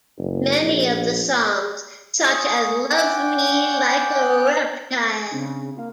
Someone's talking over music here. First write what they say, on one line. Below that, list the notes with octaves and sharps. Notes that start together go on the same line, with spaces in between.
Many of the songs, such as Love Me Like a Reptile.
F#1
A#1
G#4 C#6
C#4 F#5 G5 D6
C#3 C4 D4
A#3 F4 F5